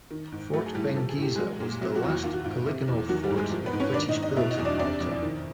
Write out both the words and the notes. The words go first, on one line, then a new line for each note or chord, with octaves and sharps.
Fort Benghisa was the last polygonal fort that the British built in Malta.
D#3
G#2
F#3 A3 A4
G#4
A2 G3 G4
F3 A4
G#4
A2 G4
F#3 G#3 G#4
A#2
C3 F#3 F#4
F#3 F#4
E2 F4
F#3 F#4
D#3 F4
F#4
G#2 F4
C3
E2
D#3 F#3 F#4
G3 G4
G#2
G#3 G#4
F3
B3 B4
G#2
C#4 C#5
D#3 D4 D5
D#4 D#5
G#2
D#4 D#5
B2 E4 E5
D#4 D#5
E2
D4 D5
C3 D4 D5
F2
D#3